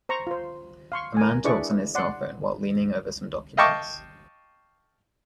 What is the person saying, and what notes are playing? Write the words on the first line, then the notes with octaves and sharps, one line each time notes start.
A man talks on his cellphone while leaning over some documents.
C5 A#5 C#6
F4 C5
F5 C6 C#6
A#4 G#5
D4 E4 G#4 B4 D5 C#6
D5 F#5 C6
D#5 F5 G5 A5 C#6 D6